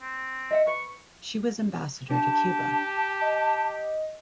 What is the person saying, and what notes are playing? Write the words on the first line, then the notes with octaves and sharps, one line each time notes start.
She was ambassador to Cuba.
C4
D#5 E5 F#5
B4 C#6
D4 G4 A5
D#5